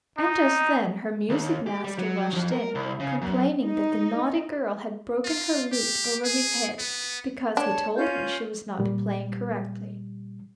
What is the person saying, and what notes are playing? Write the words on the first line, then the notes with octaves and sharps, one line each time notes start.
And just then her music master rushed in, complaining that the naughty girl had broken her lute over his head, because he told her she was not playing correctly.
D#4
D#2
G4
G3
F#3
F2
A#4
C2
C#3
F#2
D#4
F4
G4
G#4
B3
D4 C#5 A5
C#4 F4 G6
A#2 G3